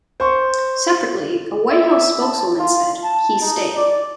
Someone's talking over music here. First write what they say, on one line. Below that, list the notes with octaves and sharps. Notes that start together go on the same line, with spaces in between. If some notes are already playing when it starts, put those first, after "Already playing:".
Separately, a White House spokeswoman said, "He's staying".
C5 C#6
E5
A5
F4
A5
D#4
D5